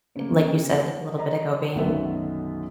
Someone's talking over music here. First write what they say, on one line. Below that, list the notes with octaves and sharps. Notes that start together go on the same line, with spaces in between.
like you said little bit ago, being
C#3 A#3
D#5 A#5
B1 F#2 D3 D#3 B3 E5